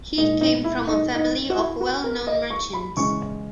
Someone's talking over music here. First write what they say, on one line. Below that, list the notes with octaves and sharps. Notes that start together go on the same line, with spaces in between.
He came from a family of well known merchants.
A#2 G#3 D#4
D#4
E4
D#4
D#4
F#4
E4
F#4
A#4
D#5
C#6
B5
C#3 E3 G#3 C#4 C#6